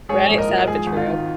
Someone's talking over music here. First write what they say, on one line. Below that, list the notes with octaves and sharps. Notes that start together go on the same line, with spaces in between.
Right, sad but true.
G#2 G#4 C#5
A#1
A#4 D#5
F3
G#2 G#4
G#1
F4
D#3